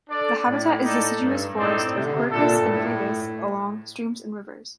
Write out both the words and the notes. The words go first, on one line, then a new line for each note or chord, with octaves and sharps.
The habitat is deciduous forest of "Quercus" and "Fagus" along streams and rivers.
D4 A4 D5
A2
D#4 A4 D5
G2
A2 C4 D#4 A4 D5
C3
D3
C3
A#2 G3 D4 A4
G2
A2